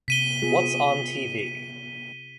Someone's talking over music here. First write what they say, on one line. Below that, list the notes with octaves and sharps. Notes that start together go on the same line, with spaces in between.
What’s on T V?
C3 B6 D#7 G7
B3 F4 G#4